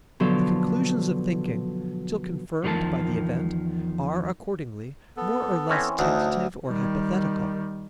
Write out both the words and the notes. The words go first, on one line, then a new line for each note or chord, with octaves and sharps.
The conclusions of thinking, till confirmed by the event, are, accordingly, more or less tentative or hypothetical.
B2 D3 F3 F#3 A4
E2 D#3 F3 E4 A#4 A5
B3 A4
E3 C4 C#4
D2 D4 D#4
D#3 G3